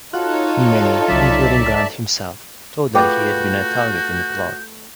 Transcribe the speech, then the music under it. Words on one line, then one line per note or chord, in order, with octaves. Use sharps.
Many, including Grant himself, thought that he had been a target in the plot.
D#4 F4 F#4 A4 C#5 F#6
C2 C#3 F#3 D5 E5 A5
A3 F4 F#4 G#4 A4 B4 G5 G6